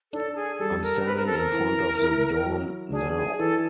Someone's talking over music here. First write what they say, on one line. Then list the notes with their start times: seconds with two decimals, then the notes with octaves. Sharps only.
I’m standing in front of the dorm now.
0.13 D4 A4
0.36 G#4
0.59 G3 A4
0.83 A#4
1.06 C4 B4
1.16 A#4
1.27 A4
1.36 A#4
1.52 E3
1.99 E4
2.46 F#3
2.92 D4 G#4
3.15 G#4
3.39 E3 A4